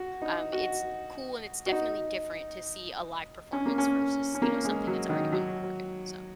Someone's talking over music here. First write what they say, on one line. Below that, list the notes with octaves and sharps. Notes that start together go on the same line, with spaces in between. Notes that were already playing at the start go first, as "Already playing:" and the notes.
um, it's cool and it's definitely different to see a live performance versus, you know, something that's already been recorded, so
Already playing: F#4
D#4
F#4
F#4
D#4
C#4
A#3
C#4
C#4
A#3
G#3
F#3
D#3
F#3